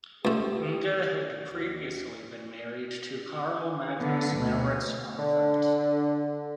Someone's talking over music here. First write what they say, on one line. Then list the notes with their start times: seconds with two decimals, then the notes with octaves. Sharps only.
Inge had previously been married to Carl Magnus Mauritz Armfelt.
0.25 C#2 A3 G4
1.50 D#2 F#4
3.99 D3 B3
4.36 D2 B2
5.18 D3